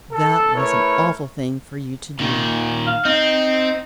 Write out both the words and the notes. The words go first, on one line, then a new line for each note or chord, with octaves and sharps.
That was an awful thing for you to do.
A4
A3 E4 A#4 B4 C#5
A#2 D#3
F5
C4 D#4